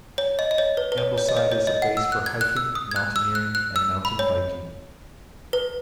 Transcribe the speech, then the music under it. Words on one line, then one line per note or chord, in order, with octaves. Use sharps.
Ambleside is a base for hiking, mountaineering and mountain biking.
C#5
D#5
D#5
C#5
B4
B4
C#5
C#5
D#5
C#5
C#5
D#5
F#5
E6
F#6
G#6
F#6
E6
D#6
G#6
F#6
E6
F#6
F#6
E6
B5
C#5
B4